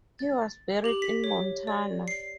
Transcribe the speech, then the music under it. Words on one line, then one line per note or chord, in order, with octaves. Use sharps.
He was buried in Montana.
A6
G4 F#7
B6
C#5
D5
C7